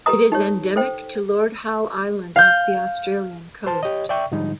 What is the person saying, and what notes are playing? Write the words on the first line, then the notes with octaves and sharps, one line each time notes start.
It is endemic to Lord Howe Island off the Australian coast.
G4 A4 B4 A#5 D#6
D#4 G4 C#5
A4 C5 G5
F5 G6
C5 A5
G4 C#5 D#5
D5 E5 G5 C#6
G#2 D3 F3 G3 D#4